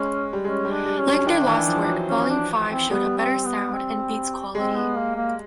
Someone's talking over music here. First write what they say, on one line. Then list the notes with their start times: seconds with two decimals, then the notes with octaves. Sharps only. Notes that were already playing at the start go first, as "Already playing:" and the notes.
Like their last work, "Volume Five" showed a better sound and beats quality.
Already playing: G#3 C#4
0.33 G3
0.44 G#3 C#4
0.65 G3
0.71 D4
0.86 G3
0.99 C#4
1.06 F#3
1.27 D#3 D4
1.47 E3
1.67 F3
1.88 F#3
2.09 C#4
2.29 D4
2.70 C4
2.90 G3 B3
3.18 C4
3.45 B3
3.73 C4
4.55 G#3 C4
4.75 B3
4.96 A#3
5.16 A#3